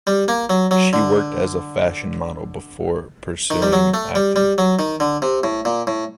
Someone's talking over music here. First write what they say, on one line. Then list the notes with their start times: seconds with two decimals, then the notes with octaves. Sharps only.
She worked as a fashion model before pursuing acting.
0.07 G3
0.28 A#3
0.50 F#3
0.71 F#3
0.93 D3
3.50 D#3
3.62 G3
3.73 F#3
3.94 A3
4.15 G3
4.36 G3
4.58 F#3
4.79 D#3
5.00 D3
5.22 C3
5.44 A2
5.65 A#2
5.87 A2